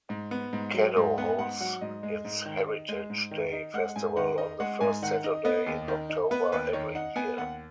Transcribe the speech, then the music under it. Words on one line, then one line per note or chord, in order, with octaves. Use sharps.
Caddo holds its Heritage Day Festival on the first Saturday in October every year.
G#2
B3
G#2
F#3
G#2
B3 F#5
G#2 F#5
F#3 F#5
G#2 D#5
G#3
G#2
D#3
D#4
G#3
G#2
D#3
D#4
G#3 F#5
G#2 G#5
D#3 F#5
D#4 D#5
G#3 F#5
G#2 G#5
D#3 F#5
D#4 D#5
B3 D#5
D#2
D#3
D#4
B3 B4
D#2 B4
D#3 C#5
D#4 F#5
B3 G#5
D#2 F#5